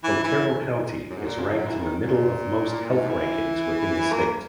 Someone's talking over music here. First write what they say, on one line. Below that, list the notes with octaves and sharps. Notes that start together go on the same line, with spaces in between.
Otero County is ranked in the middle of most health rankings within the state.
E3
E3
F#2
G#2
A#2
C#3
F#3
E3
D#3
G#2
A#2
G#2
E3
A#3